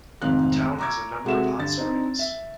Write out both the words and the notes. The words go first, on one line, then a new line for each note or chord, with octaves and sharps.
The town has a number of hot springs.
F1 F2 G#2 D#3 F5 F#6
A#5 C#6 D6 E6 G#6
C3 G#3 F#4 A4 E5 E7
G2 D3 A6
C4 D4 D#4 C5
E5